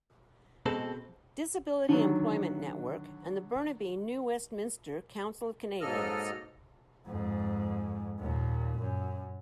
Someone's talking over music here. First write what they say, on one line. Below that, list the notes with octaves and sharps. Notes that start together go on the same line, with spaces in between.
Disability Employment Network and the Burnaby-New Westminster Council of Canadians.
B2 G#3 C4 A4
D3 D#3 F#3
G#2 F#3 A#3 A4 D#5 F6
F2 G#2
D#2 A#2
F#2